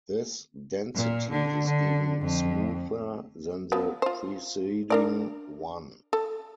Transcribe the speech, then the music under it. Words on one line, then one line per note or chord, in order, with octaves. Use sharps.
This density is even smoother than the preceding one.
A#2
D3
D3
F2
F3 F#3 B3
F4 C5
D4 A#4 D5
A4